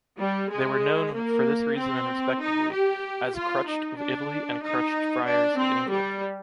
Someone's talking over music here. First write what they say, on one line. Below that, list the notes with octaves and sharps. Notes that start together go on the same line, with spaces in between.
They were known, for this reason and respectively, as Crutched of Italy and Crutched Friars of England.
G3
G#3
A#3
C4
D#4
G4
F4
D#4
D4
D#4
D4
C4
G3